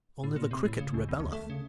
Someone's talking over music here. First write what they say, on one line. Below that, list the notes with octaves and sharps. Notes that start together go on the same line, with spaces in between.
Only the cricket rebelleth.
A2
A#2
C3
A2
C#3
C#2
E2
D2
A3
C#3